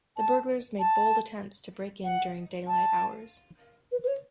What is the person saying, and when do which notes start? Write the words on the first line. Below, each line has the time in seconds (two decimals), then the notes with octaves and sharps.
The burglars made bold attempts to break in during daylight hours.
0.17 A5
0.79 A5
2.04 F#5
2.67 A5
3.92 B4
4.03 B4
4.08 C#5